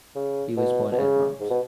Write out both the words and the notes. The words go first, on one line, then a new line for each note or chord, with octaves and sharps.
He was born at Reims.
C#3
B2
B2
C#3
G#2
B2